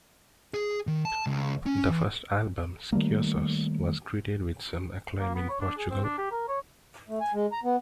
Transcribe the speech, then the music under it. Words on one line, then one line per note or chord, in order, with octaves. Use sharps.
Their first album "Esquissos" was greeted with some acclaim in Portugal.
G#4
D#3
A5
C#2
C#4
E3
D#3 G3 A3 A#3
A#3
B3
C#5
D4
G#4
C4
D4
G4
A#4
C#5
A3
G#5
G#3
A#5
B3